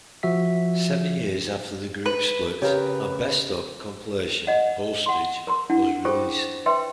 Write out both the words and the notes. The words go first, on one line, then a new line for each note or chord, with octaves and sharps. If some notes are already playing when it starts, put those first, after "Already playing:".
Seven years after the group split a 'Best Of' compilation, "Postage", was released.
F3 F#4 E5 B6
B4
C#3 G4 A#4 B4 C#5 F5
D#5 F#5
F#5 C6
A#4 A#5 C6
D4 E4 F#5
F4 G#4 A4 C5 G5 C#6
B4 E5 G5 C6